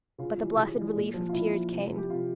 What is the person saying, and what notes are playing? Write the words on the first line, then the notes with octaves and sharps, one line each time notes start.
But the blessed relief of tears came.
C#3 F4
E3 G3
C#3
E3 G3
A#2
F3
F4
A#2 E4
F3
C3
F3
G4
C3 F4